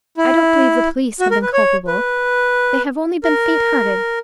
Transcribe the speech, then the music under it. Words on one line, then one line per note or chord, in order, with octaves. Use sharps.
I don't believe the police have been culpable; they have only been faint-hearted.
E4
F#4
A#4
B4
C#5
B4
A#4